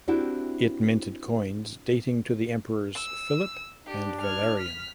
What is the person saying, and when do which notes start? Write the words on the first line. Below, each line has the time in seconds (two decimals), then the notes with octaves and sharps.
It minted coins dating to the emperors Philip and Valerian.
0.08 C4 D4 E4 F#4 G4
2.95 E6
3.87 D4 G4
4.21 F6 G#6
4.58 F6 B6